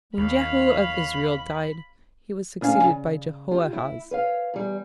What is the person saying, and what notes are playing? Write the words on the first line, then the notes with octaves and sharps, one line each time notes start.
When Jehu of Israel died, he was succeeded by Jehoahaz.
D#2 C#5 F5 B5
D2 C#4 D4 F5 G#5
C#3
F4 G4
E4
B4 C#5 F5
E2 G3